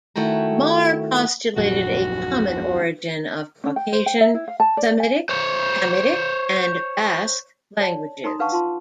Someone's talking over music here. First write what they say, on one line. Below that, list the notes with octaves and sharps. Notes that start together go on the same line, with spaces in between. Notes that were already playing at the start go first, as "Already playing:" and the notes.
Marr postulated a common origin of Caucasian, Semitic-Hamitic, and Basque languages.
D#3 A3 E4 F#4 G5 A#5
D#1 A#1 F#2 F#4
C#4
G5
C5
G5
E5
E4
F5
A5
D5
G#5
C5 C#5
C#5 D5 A5
D#4 A#5 C6 D#6
D4 B4 F5 F#5 A5 C#6
F4 A5 C6